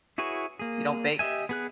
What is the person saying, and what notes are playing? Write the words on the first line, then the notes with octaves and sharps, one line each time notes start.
You don't bake?
E4 F#4 G#4 B4 C#5
A#3 G#4
G4 D#5 E5 G#5
B3 G#4 F#6